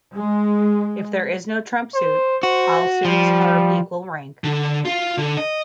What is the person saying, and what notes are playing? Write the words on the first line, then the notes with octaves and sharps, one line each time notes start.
If there is no trump suit, all suits are of equal rank.
G#3
C5
F#4 C5
F3 G3
D3
F4
D3
D#5